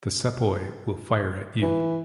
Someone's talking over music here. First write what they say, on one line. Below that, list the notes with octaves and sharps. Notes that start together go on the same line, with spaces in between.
The sepoy will fire at you!
E3